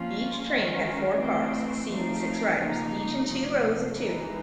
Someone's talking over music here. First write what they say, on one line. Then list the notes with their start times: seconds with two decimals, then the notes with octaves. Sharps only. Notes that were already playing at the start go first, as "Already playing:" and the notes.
Each train had four cars seating six riders each in two rows of two.
Already playing: F3 A#3 C#4 F4
0.51 D#3 G#3 C#4
1.19 E3 A3 C4
1.88 F3 A3 C4 D#4
2.59 C#3 F3 A#3 D#4
3.27 C3 F3 A3
3.97 E3 G#3 B3 D#4